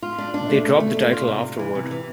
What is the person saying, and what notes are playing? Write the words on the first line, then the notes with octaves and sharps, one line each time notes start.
They dropped the title afterward.
F4
D4
D4
A3
B2
A3
D4
F4
C3
C3
E3
C3
E3